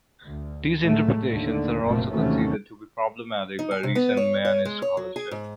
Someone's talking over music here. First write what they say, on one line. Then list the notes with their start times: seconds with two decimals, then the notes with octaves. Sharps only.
These interpretations are also considered to be problematic by recent Mayanist scholarship.
0.24 D2
0.79 A2 F#3 G#3 A3
1.29 D#2 D3 A3
1.83 F1 F#2 A#2 A3 A#3 C4
2.12 D#2 C3 E3 F#3 A3 C#4
3.59 D#4
3.71 G#5
3.83 C3
3.95 B3
4.17 C#5
4.45 C#5
4.65 G#3
4.82 C#5
4.97 F#3
5.16 G#4
5.31 G#2